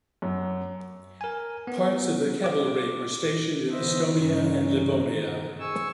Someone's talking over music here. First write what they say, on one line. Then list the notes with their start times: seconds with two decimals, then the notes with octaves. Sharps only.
Parts of the cavalry were stationed in Estonia and Livonia.
0.22 F#2
1.21 A#4 G#5
1.67 B3
2.44 D6
3.71 D3 E3 B3 C5 D#5 E5
4.14 G2 C#3 E3 C#4 D#4
5.07 D#3 D#4
5.60 G#4 G#5 C#6 E6